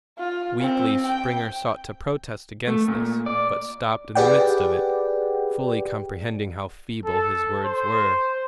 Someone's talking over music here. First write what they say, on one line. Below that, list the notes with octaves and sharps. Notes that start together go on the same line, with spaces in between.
Weakly Springer sought to protest against this, but stopped in the midst of it, fully comprehending how feeble his words were.
F4
C4
G5
A3
A#2
D5
G4 G#4 B4 D5 F#5 G5
A4
C5